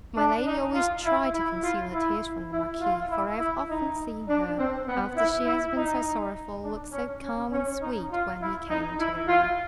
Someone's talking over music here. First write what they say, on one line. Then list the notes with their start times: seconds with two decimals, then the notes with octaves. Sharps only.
My lady always tried to conceal her tears from the Marquis, for I have often seen her, after she has been so sorrowful, look so calm and sweet, when he came into the room!
0.15 D4
0.44 D#4
0.74 F4
1.04 E4
1.33 E4
1.62 F4
1.92 E4
2.50 E4
2.80 F4
3.09 E4
3.39 E4
3.68 D#4
4.27 D4
4.56 C4
4.86 B3
5.15 E4
5.44 E4
5.74 D#4
6.62 D4
6.92 C#4
7.21 C#4
7.51 C#4
7.80 D#4
8.09 F4
8.39 E4
8.68 D#4
8.98 E4
9.27 F4